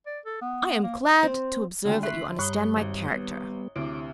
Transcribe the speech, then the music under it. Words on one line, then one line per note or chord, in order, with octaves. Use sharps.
'I am glad to observe that you understand my character.
D5
A4
B3
A#3
C4
D3 D#3 G#3 A3
E5 B5 C6 F#6
G2 G3 C#5 B5 C#6 D#6 F#6 G7
G#1
G3 B3
D2 C3 E4 D6